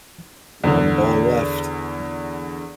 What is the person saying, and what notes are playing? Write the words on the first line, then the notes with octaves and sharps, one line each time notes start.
One ball left.
E2 D3